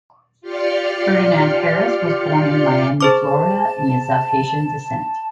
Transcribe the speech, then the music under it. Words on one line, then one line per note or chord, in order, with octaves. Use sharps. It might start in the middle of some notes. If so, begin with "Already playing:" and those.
Ferdinand-Harris was born in Miami, Florida and is of Haitian descent.
F4 G4 D5 C6 F6 C#7
G#4 C5 A5 D6